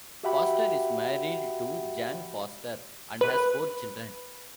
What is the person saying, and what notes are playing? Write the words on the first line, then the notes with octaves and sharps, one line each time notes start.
Foster is married to Jan Foster and has four children.
F#4 G4 E5 F#5 G5 B5
B4